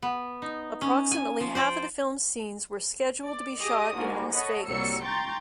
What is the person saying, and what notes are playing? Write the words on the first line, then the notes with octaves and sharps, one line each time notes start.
Approximately half of the film's scenes were scheduled to be shot in Las Vegas.
B3
D#4
C#4
G#5
F3
C5 D5 G5
D5
G4 G#4 D#5 D6 D#6
G#2 D3 A#3 F#4
A4 C#5 D#5 F#5 B5
C2 A#2 F#3 G3 E6 C#7
G5 A#5 C6 C#6 G6 A6